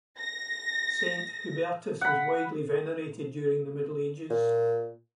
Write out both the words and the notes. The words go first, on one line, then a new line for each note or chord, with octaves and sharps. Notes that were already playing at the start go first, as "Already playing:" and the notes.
Saint Hubertus was widely venerated during the Middle Ages.
A#6
F#5 B5
A#2